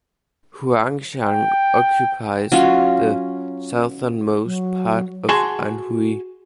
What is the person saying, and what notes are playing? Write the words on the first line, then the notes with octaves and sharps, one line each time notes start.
Huangshan occupies the southernmost part of Anhui.
G5
F#3 C#4 F4
F#3
F#4 G#4 A5 C6